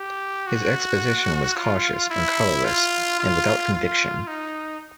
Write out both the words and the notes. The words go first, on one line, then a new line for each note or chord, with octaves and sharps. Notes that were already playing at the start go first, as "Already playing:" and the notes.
His exposition was cautious and colourless, and without conviction.
Already playing: G4
F#4
F4
E4
F4
F4
F4
D#4